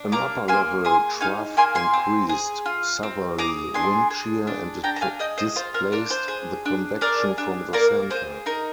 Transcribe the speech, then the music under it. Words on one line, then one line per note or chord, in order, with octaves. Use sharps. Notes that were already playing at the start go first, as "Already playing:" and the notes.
An upper-level trough increased southerly wind shear and displaced the convection from the center.
Already playing: D4
A#3 A#5 D6
A#3 G#5 C6
G#4 G#5 C6
D#4 F5 G#5
A#3 G#5 C6
G#5 C6
C4
G#4
F4
C4
G#4 A#5 D6
D4 G#5 C6
G#4
D4
D4 G5 A#5
A#5
F5 G#5
G#4 D#5 G5
C5 D#5
F4 C5
A#4
D4 A#4
C5
G#4
D4
G#4 A#4 D5
D4
A#3 A#4 D5
G#4 C5
D#4 A#4